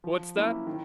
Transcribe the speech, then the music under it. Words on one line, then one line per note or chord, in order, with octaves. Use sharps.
"What's that?"
F3
A#3 C#4 E4
D#3